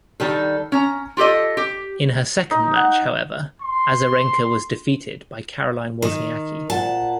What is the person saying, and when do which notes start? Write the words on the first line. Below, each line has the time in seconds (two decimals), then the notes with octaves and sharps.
In her second match, however, Azarenka was defeated by Caroline Wozniacki.
0.20 D#3 G3 A4
0.72 C#4 A#5
1.17 F4 G4 A4 D#5
1.57 G4
2.51 D#4
2.76 F#5
3.62 C6
6.02 D#3
6.70 A#2 F#5 A5